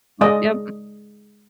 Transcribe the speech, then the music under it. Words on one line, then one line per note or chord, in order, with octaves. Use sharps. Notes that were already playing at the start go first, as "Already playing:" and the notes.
But, yep.
G#3 D5 D#5